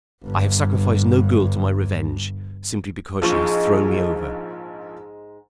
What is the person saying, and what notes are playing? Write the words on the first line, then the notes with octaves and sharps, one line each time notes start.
I have sacrificed no girl to my revenge, simply because she has thrown me over.
G1 G2
A#1 G#2 F3 G#3 D#4 C#6